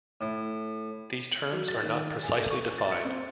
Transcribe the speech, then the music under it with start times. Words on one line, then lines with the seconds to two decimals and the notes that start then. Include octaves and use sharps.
These terms are not precisely defined.
0.21 A2
1.52 F#3
1.68 A6
1.83 D#3
2.23 G#5
2.37 A4
2.50 C#6
2.78 A6
2.92 C#7
3.05 C4